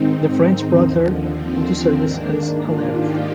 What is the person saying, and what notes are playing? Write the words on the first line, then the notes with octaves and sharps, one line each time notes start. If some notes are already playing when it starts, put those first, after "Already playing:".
The French brought her into service as "Alerte".
Already playing: G#2 D#3 C4 D#4
D#2 D3 F3
C4
G#2 D#3 A#3 D4
D4 F4
D#4 G4